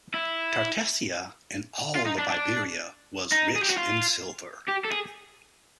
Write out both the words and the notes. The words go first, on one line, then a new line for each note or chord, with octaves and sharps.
Tartessia and all of Iberia was rich in silver.
E4
F4
D#4
D4
D4
D#4
G#4
G4
F#4
F4
G4
A4
G#4